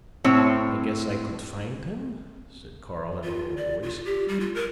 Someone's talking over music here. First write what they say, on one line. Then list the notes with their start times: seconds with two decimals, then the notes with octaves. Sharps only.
"I guess I could find him," said Carl in a low voice.
0.24 A2 C4 C#5
3.24 F4
3.57 D5
3.83 F4
4.05 G4
4.28 G3
4.40 F4
4.55 A#4